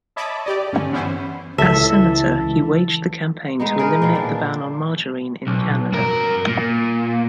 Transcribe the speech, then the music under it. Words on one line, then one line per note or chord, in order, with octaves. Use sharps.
As Senator, he waged the campaign to eliminate the ban on margarine in Canada.
C#5 D#5 E5 A5 B5 D6
G4 D5 D#5
G2 D3 C#4
E3 B3 C#4 E4 C5
C#2 E3 A4 E5
G#3 B3 D#4
G#4 A#4 B4
A#2 D#3 F3
D4
B1
G2 A#4
A#2